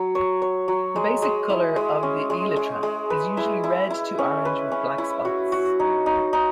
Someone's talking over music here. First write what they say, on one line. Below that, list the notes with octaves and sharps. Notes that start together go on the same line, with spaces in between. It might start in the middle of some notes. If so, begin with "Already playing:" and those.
The basic color of the elytra is usually red to orange with black spots.
Already playing: F#3
C#5
C#5
F#3
G#3
G#3
E4
G#3
C#4
G#3
G#3
G#3
B4
E4
E4
E4
C#4
B4
C#4
E4
F#4
F#4
D#4
D#4
D#4